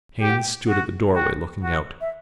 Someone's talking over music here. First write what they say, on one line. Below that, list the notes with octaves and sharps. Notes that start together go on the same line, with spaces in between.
Haines stood at the doorway, looking out.
G4 G5
F#5
G5
F#4 F#5
F#4 G5
F#4 F#5
E5